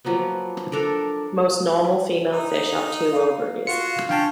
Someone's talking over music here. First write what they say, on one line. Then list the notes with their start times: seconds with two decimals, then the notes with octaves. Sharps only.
Most normal female fish have two ovaries.
0.05 F3 F#3 A#3 B3
0.72 D4 A4 A#4 D5
2.32 D#4
3.12 F5
3.67 F4 F#4 C#7
4.09 C#4 D4 F4 F5 G5 A5